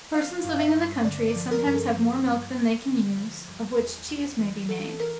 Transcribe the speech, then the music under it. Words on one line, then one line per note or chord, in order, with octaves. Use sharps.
Persons living in the country sometimes have more milk than they can use, of which cheese may be made.
F3 F5
G2
E5
G2
D3 D5
D5
F3
A#4
G2
A4
F3
G2
G2
D3
F3
G2
E2
E2
E3
E3 A4
A#4